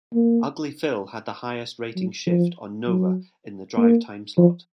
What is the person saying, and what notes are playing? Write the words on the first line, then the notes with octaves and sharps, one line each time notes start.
Ugly Phil had the highest rating shift on Nova in the drive timeslot.
A#3
F#3
F3
F#3
A#3
F3